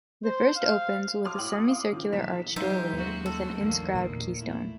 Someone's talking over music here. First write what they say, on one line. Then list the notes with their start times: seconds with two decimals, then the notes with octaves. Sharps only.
The first opens with a semicircular arch doorway with an inscribed keystone.
0.24 C5
0.56 F5
1.25 F#4 C#5 C6 D6 D#6 F6
1.38 A2 G5 C6 D6 F#7
1.53 D#6
1.69 F5 D6
1.93 D#3 F3
2.13 B1 E2 B6 E7
2.56 F2 F#3 D#4 F4 G4 C5 E5
2.93 D#2 G#3 A#3 C#4 F#4
3.26 A4
3.59 A1 E2 D3 D#3 A#3
3.95 A#2
4.38 A3 E4